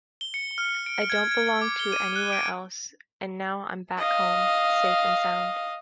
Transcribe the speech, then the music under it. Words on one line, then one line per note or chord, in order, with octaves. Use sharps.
I don't belong to anywhere else, and now I'm back home, safe and sound.
G7
C#7
F6
D7
G#6
G#6
D7
D6
G7
D#7
F#6
D7
D#5 F5